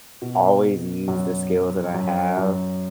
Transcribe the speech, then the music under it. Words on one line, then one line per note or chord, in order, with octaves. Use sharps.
Always use the skills that I have
B2
F#2
F#2
F#2